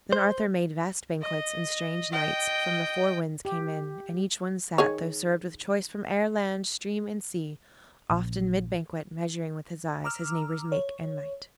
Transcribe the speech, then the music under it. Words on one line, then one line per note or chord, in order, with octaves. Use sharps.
"Then Arthur made vast banquets, and strange knights From the four winds came in: and each one sat, Tho' served with choice from air, land, stream and sea, Oft in mid-banquet measuring with his eyes His neighbor's make and might."
C5
D#5
D#5 G5
G4
D#3 G#4 C#5
A#1
A#5 D6 E6 F6
C#5